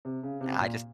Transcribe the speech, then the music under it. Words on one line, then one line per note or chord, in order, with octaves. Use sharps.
I just
C3
C#3
C3
A#2